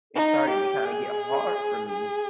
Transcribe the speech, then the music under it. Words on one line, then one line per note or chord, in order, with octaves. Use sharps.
it started to kinda get hard for me,
D#4
G4
G#4
G#4